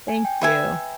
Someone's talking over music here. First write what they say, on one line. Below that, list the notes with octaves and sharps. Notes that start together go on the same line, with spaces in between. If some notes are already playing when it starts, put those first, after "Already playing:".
Thank you.
G#5
G5
B4 E5 G#5